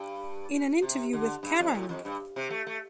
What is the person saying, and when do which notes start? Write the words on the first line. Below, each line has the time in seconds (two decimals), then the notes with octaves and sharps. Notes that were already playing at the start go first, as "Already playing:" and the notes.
In an interview with Kerrang!
Already playing: G2
0.82 C3
1.13 D3
1.43 G2
1.59 F2
1.74 A2
1.89 F2
2.05 G2
2.36 C3
2.50 A3
2.67 A3